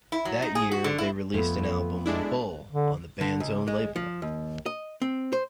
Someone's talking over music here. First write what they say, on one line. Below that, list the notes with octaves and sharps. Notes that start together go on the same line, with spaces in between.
That year they released an album, "Bull" on the band's own label.
E4
F#3
D#4
G#4
F#4
D3
E4
F2 A3 B3
G#3 D4 E4
D3
D3
C#2
G#3
F3
D#2
D#5
C4
C5